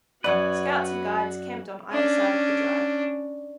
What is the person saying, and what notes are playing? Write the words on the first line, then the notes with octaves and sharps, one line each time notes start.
Scouts and Guides camped on either side of the drive.
F#2 F#4 B4 C#5 D5 F#5
C#4 D4